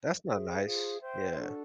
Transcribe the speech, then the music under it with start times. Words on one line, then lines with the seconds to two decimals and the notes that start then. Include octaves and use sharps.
That's not nice. Yeah.
0.25 G#4 C5 E5
0.62 F4 G#4 C5 F5
1.00 C5 E5 G5 C6
1.37 D4 F#4 A4